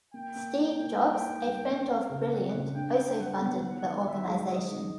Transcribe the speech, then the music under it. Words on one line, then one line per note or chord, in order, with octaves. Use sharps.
Steve Jobs, a friend of Brilliant, also funded the organization.
A#3 G5
A#3
E4
A#3
G3 G5
D#4
G3
B3
C4 F5
C#3
C4 F#5
C#3
D4 G5
D4
G3 F#5
B3
D#3
D#3
D#3 E5
G#3
D#3 D#5
D#3